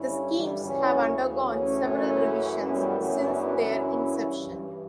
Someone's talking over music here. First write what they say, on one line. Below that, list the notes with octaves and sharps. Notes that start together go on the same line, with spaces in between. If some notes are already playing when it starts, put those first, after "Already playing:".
The schemes have undergone several revisions since their inception.
Already playing: G2 D3 C#4 E4
E3 G3
D2 C#3 E3 C#4 E4
A3 C#4
F#2 C#3 E3
G3 B3
F#2 C#3 E3 A3 C#4
B3 D4
C#4 E4
G2 E3